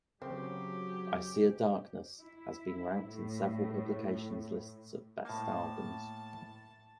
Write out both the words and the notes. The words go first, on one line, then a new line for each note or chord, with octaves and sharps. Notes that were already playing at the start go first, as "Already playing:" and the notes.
"I See a Darkness" has been ranked in several publications' lists of best albums.
C#3 F#3 C4 G4 G#4
E4
A2
A2 A#3 A5